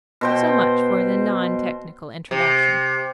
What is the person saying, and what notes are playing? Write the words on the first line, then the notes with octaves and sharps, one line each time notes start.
So much for the non-technical introduction.
B2 C5 G5
C3